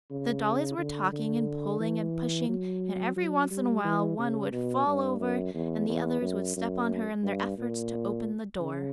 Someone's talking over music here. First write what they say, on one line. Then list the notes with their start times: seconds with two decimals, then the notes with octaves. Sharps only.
The dollies were talking and pulling and pushing and every once in a while one would fall over and the others would step on her in their efforts to open the door.
0.11 C#3
0.78 D3
1.12 D3
1.80 E3
2.49 F#3
3.16 F#3
3.50 G3
3.84 E3
4.18 C#3
4.52 B2
4.86 G2
5.20 F#2
5.54 E2
5.88 E2
6.21 F#2
6.57 F#2
7.23 G2
7.58 A#2
8.60 C#3